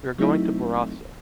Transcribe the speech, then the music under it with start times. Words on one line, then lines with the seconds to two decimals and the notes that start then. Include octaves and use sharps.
We are going to Borrassà.
0.18 F#3 A3 C4 D#4 E4